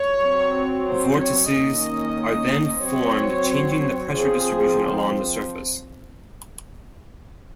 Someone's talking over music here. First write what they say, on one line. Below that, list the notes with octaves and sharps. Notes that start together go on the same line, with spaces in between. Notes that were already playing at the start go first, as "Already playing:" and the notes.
Vortices are then formed changing the pressure distribution along the surface.
Already playing: C#5
F#3 C4
C5
C#5
D#3 A#3 C#4 D#5
F#3 C4 C#5
F3 C4 G#4